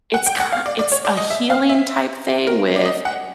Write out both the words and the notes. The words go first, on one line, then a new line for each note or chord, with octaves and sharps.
it's ki it's a healing type thing with
F#5
G5
F#5
F5
D5
D5
C#5
D5
D#5
E5
F5
E5
A#4
D5
D#5
F#5